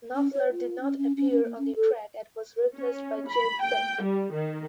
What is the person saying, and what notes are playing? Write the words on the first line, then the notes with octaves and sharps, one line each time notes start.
Knopfler did not appear on the track and was replaced by Jeff Beck.
C#4
C#5
F4
C#4
C#4
C#4
C#4
A#3
C#4
A4
C#4
B5
G5
G3
D#3